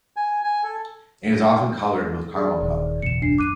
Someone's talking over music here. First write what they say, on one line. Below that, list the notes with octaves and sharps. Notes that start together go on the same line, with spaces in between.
It is often colored with caramel color.
G#5
G#5
A4
G#4 D5
D#1 D#3
F#1 B1 E2 C#7 E7
D4 C7
F#2 D6 F#6 D#7